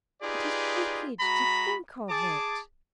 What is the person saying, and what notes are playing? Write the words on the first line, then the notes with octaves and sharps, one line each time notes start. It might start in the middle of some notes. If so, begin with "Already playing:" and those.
"It is wicked to think of it."
D#4 F4 G4 G#4 B4 D5
G#3 F#4 A#5 B5
G#4 A5 D6